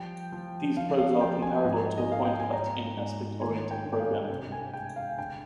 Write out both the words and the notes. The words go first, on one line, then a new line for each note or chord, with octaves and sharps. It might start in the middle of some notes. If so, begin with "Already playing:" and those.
These probes are comparable to a pointcut in aspect-oriented programming.
Already playing: F3 G3 G5
F3
F3 F5
F5
F3 G5
G#5
G#2
D#5
G#2 F5
G5
G#5
G#2 A#5
G#2
D#3 G#5
G5
G2
G5
F5
C3 G5
G#5
G#3 G5
F5
D3 G5